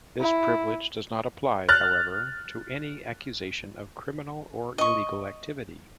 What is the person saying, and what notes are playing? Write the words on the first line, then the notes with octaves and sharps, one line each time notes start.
This privilege does not apply, however, to any accusations of criminal or illegal activity.
E4
F6 F#6 A6
D#5 C#6